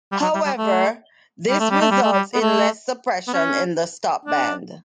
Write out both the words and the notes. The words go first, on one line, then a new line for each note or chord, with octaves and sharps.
However, this results in less suppression in the stopband.
G3
F#3
G3
G3
A3
G3
A3
G3
A3
G3
A3
G3
B3
A3
B3
C#4
D4